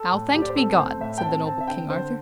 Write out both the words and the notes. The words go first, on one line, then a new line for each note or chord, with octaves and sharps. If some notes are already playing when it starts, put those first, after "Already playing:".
NOW thanked be God, said the noble King Arthur.
Already playing: A4
A2
A2 G4
D5
C5
C4 A4
A3 C5
A2 E5
G5
C4 A5
C4 A5
E5
D3 G5
D3 C5